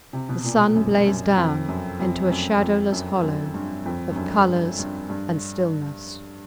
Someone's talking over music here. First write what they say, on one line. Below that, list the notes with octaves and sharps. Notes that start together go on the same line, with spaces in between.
The sun blazed down into a shadowless hollow of colours and stillness.
C3
B2
A#2
F#2
F#2
F2
F#2
F2
F#2
F2
F#2
F#2
G2
F2
G2
F#2
G2
G2
G2